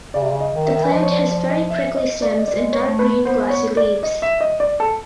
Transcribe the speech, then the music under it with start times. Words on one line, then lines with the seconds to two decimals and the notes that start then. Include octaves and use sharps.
The plant has very prickly stems and dark green glossy leaves.
0.14 C#3 D5
0.23 C3
0.31 C#3
0.40 D#5
0.53 D#3
0.66 E5
0.75 D#3
0.83 E3
0.92 F3 D#5
1.03 C#5
1.12 D5
1.31 D5
1.50 D#5
1.70 E5
1.96 D#5
2.22 D5
2.38 D#5
2.48 G#3 D5
2.73 C#5
2.81 G#3
2.86 A3
2.99 B4
3.25 B3 C5
3.50 C#5
3.77 D5
4.03 D#5
4.22 E5
4.41 D#5
4.60 D5
4.80 A4